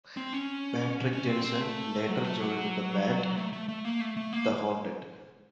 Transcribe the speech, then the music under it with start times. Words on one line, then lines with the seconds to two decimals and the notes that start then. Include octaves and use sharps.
Patrik Jensen later joined the band The Haunted.
0.17 C4
0.33 C#4
1.13 C#4
1.29 C4
1.45 C4
1.61 A3
2.08 F#3
2.24 A3
2.41 F#3
3.37 A3
3.53 A3
3.68 A3
3.85 A#3
4.01 A3
4.17 A3
4.33 A#3